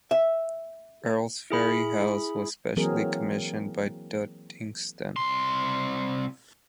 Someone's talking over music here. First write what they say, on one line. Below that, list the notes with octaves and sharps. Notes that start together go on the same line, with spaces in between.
Earlsferry House was specially commissioned by Duddingston.
E5
E4 G#4 B5
E3 F#3 A#3 C4 G#4 A#4
C2 C6